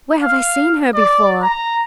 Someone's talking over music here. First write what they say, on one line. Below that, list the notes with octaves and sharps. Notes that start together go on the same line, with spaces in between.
Where have I seen her before?
F5
D5
A#5